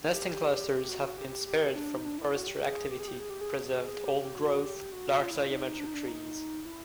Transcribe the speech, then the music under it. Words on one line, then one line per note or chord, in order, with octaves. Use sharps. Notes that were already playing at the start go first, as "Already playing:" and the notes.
Nesting clusters have been spared from forestry activity to preserve old-growth, large diameter trees.
G4
G4
G4
G4
F#4
G4
G4
D4
D#4
D4
E4
F#4
G4
G#4
G4
G#4
G4
G#4
G4
G#4
G#4
G4
F#4
G4
F#4
F4
E4
F4
D#4
D4
D#4
D4
D#4
E4